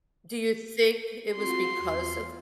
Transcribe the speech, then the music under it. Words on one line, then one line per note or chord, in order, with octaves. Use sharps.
Do you think it was because of
C4 F4 F#4 C6
E2 F4